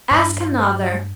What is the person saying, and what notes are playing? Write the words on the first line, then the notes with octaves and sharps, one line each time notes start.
Ask another.'
G2 D4